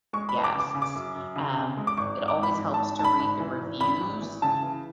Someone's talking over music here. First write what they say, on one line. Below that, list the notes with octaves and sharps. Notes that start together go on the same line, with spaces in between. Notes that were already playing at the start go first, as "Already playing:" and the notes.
guests. Um, it always helps to read the reviews,
G#3 C#6
B5
B3
D6
C#3
D6
C#3
D6
F#2
F#2
C#3
C#3
G#3
D6
G#1 C#6
G#1
D6
G#2
B5
G#1
A5
G#2
G#2 A5
B5
G#1
E3
G#1
G#1 B5
G#1
E3
C#3 A5
E3